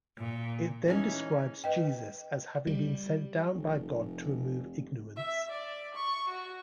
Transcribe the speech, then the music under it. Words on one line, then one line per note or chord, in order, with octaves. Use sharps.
It then describes Jesus as having been sent down by God to remove ignorance.
A#2
E3 G#3 C#4 D#4
B4 D#5 G5
G3
F1
E5
D5
C#6
F#4